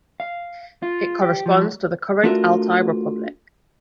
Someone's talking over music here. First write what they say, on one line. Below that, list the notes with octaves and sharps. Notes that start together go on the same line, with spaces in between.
It corresponds to the current Altai Republic.
F5
F4
G4
F3
A3 D4 F4 F#4 A#4 E5